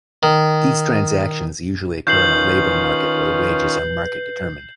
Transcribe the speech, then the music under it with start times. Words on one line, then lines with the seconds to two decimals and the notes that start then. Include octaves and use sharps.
These transactions usually occur in a labour market where wages are market determined.
0.23 D#3
2.07 D#3 C#4 F4 B4 G6 C7 F#7